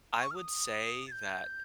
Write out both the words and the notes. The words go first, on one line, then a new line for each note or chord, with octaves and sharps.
I would say that
C#6
F6
D#6
A6
G6